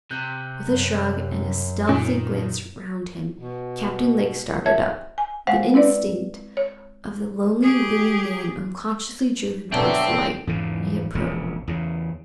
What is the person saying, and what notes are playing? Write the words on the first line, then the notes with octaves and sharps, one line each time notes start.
With a shrug, and a stealthy glance round him, Captain Lake started up. The instinct of the lonely and gloomy man unconsciously drew him towards the light, and he approached.
C3 F#6 G6
F#2
A#2 D#3 C#4
B2
C#5 E5 A5 G#6
G#5
G#3 C5 F5 F#5
C4 E4 B4 D5
C#5
G4 G#4
B2 D3 F#3 C4 D4 E5
E2 G#2 C#3
E1 A#1 C#3
E2 C#3